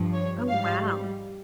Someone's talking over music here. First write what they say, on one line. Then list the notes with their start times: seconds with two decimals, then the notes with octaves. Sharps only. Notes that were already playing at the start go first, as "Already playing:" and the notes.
Oh, wow.
Already playing: G2 F3
0.13 C#5
0.48 G#2 G3 F5